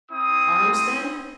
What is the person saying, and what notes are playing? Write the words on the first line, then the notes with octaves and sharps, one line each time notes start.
"Arms, then?"
C4 E4 D#6